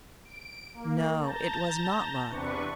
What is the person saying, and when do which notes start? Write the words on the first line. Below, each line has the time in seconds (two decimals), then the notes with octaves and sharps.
No, it was not luck.
0.25 D7
0.74 A#3
1.20 A5 A#5 G6 A6 A#6
2.29 E2 C3 D4 B4 C#6